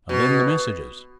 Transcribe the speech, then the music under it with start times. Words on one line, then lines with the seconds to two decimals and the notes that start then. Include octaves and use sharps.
And then the messages!
0.09 B2